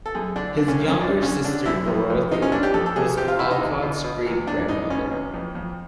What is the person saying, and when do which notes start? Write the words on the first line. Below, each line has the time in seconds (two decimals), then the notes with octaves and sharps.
His younger sister, Dorothy, was Alcott's great-grandmother.
0.06 A4
0.15 F#2 G#4
0.36 D3 D4
0.57 D3 D4
0.68 C#4
0.80 F#2
0.88 C#4
1.01 F#2 D4
1.22 D3 C#4
1.45 D3 D4
1.65 F#2 E4
1.88 F2
2.10 F2
2.31 C3 D#4
2.42 C#4
2.52 E3 D4
2.63 G4
2.74 F2 A4
2.86 A4
2.96 F2 G#4
3.17 C3 G4
3.28 F4
3.39 E3 E4
3.50 D#4
3.61 E2
3.82 B2
4.04 B2
4.26 E2
4.47 E2 D4
4.68 B2 D#4
4.90 B2 C#4
5.11 E2
5.34 F2
5.55 F2